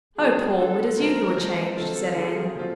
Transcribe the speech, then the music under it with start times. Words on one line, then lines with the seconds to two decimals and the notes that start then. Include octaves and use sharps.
"Oh, Paul, it is you who are changed," said Anne.
0.19 F#3 B3 D4 F4 G#4
0.58 F#3 B3 D4 F4 A4
0.97 F3 G#3 C4 A#4
1.37 F3 G#3 C4
1.76 D3 F#3 A3 C4 F4 A4
2.16 D3 F#3 A3 C4 F4 G#4
2.55 A#2 F3 A3 C4 F4